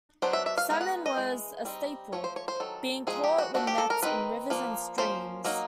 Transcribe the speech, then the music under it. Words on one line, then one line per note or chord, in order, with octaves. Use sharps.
Salmon was a staple, being caught with nets in rivers and streams.
F#3 B3 D4 C5
E5
E5
F5
G#3 B3 D#4 F5
F#5
D#5
E3 G#3
G3 C4 D#4
F3 A3 C#5
C5
C#5
C5
D#3 F#3 A4
F3 G#3 C4 D#4 G#4
G4
F#4
F3 A3 D4 F#4
G4
A4
A#4
D#3 G#3 C4 D#4 B4
F3 A#3 D4
F3 A#3 C#4 C5
F#3 A#3 D#4